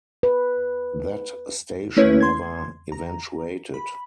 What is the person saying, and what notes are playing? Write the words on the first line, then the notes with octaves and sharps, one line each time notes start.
That station never eventuated.
B4
A3 A#3 C#4 E4 B4 C#5
C6 G#6
A#5
B5